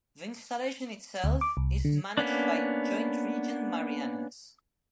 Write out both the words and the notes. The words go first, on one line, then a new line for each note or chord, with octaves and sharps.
The installation itself is managed by Joint Region Marianas.
D2
D6
C2
D3
A#3 B3 C#4 D4